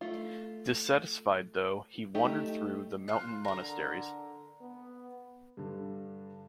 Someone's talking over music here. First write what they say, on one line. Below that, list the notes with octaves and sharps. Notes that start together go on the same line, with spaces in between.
Dissatisfied, though, he wandered through the mountain monasteries.
A3 F4
A3 D#4 G4
F4 F#6
D3 A#4 A#5
B3
G2 D3